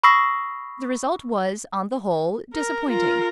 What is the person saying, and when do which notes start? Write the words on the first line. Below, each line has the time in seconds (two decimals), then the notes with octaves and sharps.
The result was, on the whole, disappointing.
0.03 B5 C#6 D#6 E6 A#6 C7
2.54 A#4
2.87 F4 A#4